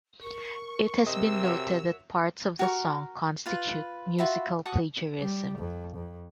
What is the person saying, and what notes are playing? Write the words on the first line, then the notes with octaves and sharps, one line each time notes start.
It has been noted that parts of the song constitute musical plagiarism.
A#4 C#6
C3 D#5 E6
F#4 C#5 E5
F#4 A#4 C#6
F4 B4
F4 F#4 E5 B5
F#4 A4 F#5 D#6
G3
F2
F2